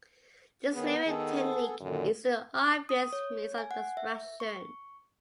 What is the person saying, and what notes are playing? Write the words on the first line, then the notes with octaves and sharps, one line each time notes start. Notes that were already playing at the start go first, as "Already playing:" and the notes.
This layering technique is an obvious means of abstraction.
D#3 B3 C#4 G#4
D#3 B3 G#4 A4
F#2 A#2 D3 D#3
D#6
C#5
G#5
F#5
E5
C#6